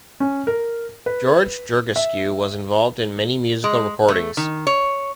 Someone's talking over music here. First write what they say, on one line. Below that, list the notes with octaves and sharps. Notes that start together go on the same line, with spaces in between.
George Georgescu was involved in many musical recordings.
C#4
A#4
B4
E5
G#3
A3
D#3
C#5